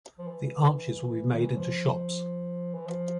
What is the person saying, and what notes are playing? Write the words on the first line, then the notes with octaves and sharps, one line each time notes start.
The arches will be made into shops.
F3
E3
D#3
E3
F3
E3
F3